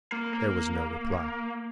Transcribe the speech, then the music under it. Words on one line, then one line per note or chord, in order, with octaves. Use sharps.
There was no reply.
A#3
A#3